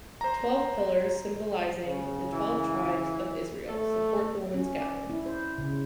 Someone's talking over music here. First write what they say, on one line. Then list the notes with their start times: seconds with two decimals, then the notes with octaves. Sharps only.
Twelve pillars, symbolising the twelve tribes of Israel, support the women's gallery.
0.21 C5 A#5
1.83 C#3
2.33 E3
3.69 A3 A4
4.54 C#4
4.76 D5
5.10 E4
5.26 C5
5.58 C#3